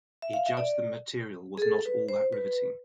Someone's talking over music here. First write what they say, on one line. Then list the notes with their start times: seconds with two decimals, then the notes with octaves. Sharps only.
He judged the material was "not all that riveting".
0.22 E5
0.33 F5
0.46 E5
0.57 D5
1.57 G#4
1.62 A4
1.86 B4
2.09 C5
2.33 B4